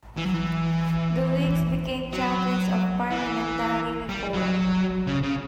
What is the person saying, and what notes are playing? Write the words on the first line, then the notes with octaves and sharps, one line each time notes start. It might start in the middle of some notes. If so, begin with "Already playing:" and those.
The Whigs became champions of Parliamentary reform.
E3
F#3
E3
F#3
E3
G3
F#3
C#3
C#3